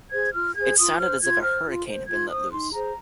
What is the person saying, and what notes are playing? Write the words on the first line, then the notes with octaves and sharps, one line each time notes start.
It sounded as if a hurricane had been let loose.
G#4 C5 G#6
F4 F6
G#4 C5 G#6
F4 D#6
C5 F6
F4 G#6
C5 F6
F4
C5
F4 G#6
C5 D#6
D#4 C6
G#4 C5 A#5